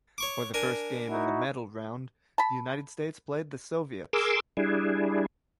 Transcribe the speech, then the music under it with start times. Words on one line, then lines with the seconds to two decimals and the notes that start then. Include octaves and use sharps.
For the first game in the medal round, the United States played the Soviets.
0.18 C#5 C#6 D6
0.54 D4 A#4 G#5
1.09 D#4 E4 F#4
2.38 A5 B5
4.13 G#4 A#4 C6 D6 E6
4.57 G3 D4 E4 G#4